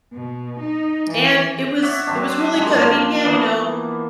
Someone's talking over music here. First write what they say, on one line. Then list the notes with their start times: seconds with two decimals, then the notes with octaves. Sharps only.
and it was it was really good I mean, yeah, you know,
0.13 B2
0.60 D#4
1.10 E3
1.83 C#5 D5 E5 F#5
2.07 F#3 C4 D4
2.54 G#3 D4
2.66 F#2 F3 A#3
2.85 F5
3.25 E3 A#3 B3